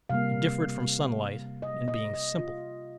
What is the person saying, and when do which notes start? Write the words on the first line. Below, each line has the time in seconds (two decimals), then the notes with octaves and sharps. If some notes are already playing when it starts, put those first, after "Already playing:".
It differed from sunlight in being simple.
0.09 C3 G3 A#3 F5
1.62 D#5
1.88 D#5
2.14 D#5
2.38 F4